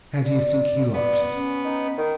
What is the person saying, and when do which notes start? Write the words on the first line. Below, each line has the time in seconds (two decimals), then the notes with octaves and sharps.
How do you think he likes it?'
0.24 D5
0.94 B3 D5
1.35 C#4
1.65 D#4
1.98 D#3